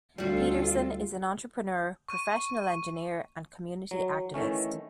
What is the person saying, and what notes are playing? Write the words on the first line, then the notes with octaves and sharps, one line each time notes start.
Peterson is an entrepreneur, professional engineer and community activist.
D2 G3 F4 F#4 A4
C#6 D#7
F#3
D#3 E3 A3 C#4